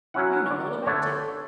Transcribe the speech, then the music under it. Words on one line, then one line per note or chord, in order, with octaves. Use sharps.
You know all about it.
F#3 C#4 E4 F#5
C#5
D5
D3 A3 D4 C#5